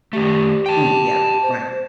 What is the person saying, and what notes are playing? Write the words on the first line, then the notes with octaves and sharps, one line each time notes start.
Mm, yeah. Right.
D#3 A3 G4
G5 A5
C5